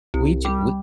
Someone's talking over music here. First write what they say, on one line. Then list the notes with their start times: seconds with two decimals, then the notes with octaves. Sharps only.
We ju we
0.14 C2
0.45 G3